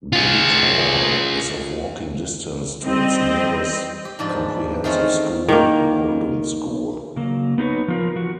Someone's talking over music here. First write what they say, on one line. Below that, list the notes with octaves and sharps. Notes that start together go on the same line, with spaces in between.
Biddick Hall is of walking distance to its nearest 'Comprehensive School', Boldon School.
F4 G#4
G3 C4 D#5
G4
G#2 F3 D4
D#3 A3 C4 C#4 F4
D#3 A#3
C#3 F#3 A#3
B3 D#4 G4 B4 C#5
F3 F4 A#4
F3 F#4